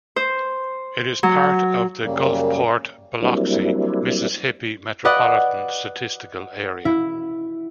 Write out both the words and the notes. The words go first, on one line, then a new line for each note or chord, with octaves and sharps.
It is part of the Gulfport-Biloxi, Mississippi Metropolitan Statistical Area.
C5
F#3
F#2 C#3 G3 A#3
F#3 G3 A#3 C4 D4 E4
B4 D5 D#5 F#5
E4